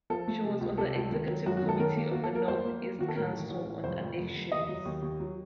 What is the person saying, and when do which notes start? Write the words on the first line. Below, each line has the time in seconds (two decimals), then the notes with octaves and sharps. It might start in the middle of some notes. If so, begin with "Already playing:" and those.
She was on the executive committee of the North East Council on Addictions.
0.10 F3 A4
0.28 A3
0.44 C3
0.61 C#2
0.78 C3 A4
0.95 C#2
1.12 D#3
1.29 F#3
1.46 F#2 F#4
1.57 F#4
1.63 D#3
1.69 A4
1.79 D#3 A#4
1.97 A#3
2.11 A#3 F#4
2.24 A4
2.31 A#3 A#4
2.48 F2 C5
2.64 A#3
2.82 A#3
2.99 D#3 F#4
3.08 A4
3.16 A2 A#4
3.33 A1
3.50 A1
3.67 A1
3.84 F1 C5
4.01 F2
4.18 F1
4.35 F1
4.52 D#2 D#5
4.68 F#3
4.85 D#2
5.02 D#2
5.20 F#3